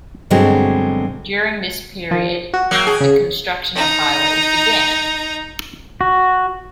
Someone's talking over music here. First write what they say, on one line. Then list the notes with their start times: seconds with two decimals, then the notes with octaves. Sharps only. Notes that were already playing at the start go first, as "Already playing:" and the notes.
During this period, the construction of highways began.
0.30 G2 B2 D3 F#3 G#3 C4
2.11 F3
2.54 F#4
2.71 F#3 A#3 F#5 G5
2.87 G#4
3.01 C#3
3.75 D#4 A#5
6.01 F#4